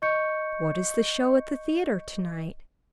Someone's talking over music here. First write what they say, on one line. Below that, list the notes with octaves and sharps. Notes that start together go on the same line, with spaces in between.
What is the show at the theatre to-night?
D#5 C#6 G6 C#7